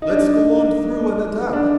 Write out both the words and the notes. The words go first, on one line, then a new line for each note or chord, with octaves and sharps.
"Let's go on through and attack!"
D#4
D4
D#4
D4